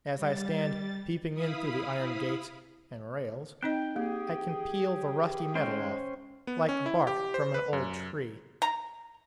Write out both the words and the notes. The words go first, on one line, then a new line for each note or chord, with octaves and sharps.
As I stand peeping in through the iron gates and rails, I can peel the rusty metal off, like bark from an old tree.
G3 A6
E4 F5 B5 D#6
C4 D#4 D#5 G5
A#3 G4 G#4
G#2 G#3 C#4 C5 G5
B3
C#4
E4
G4
C5
B4
F#2
A#5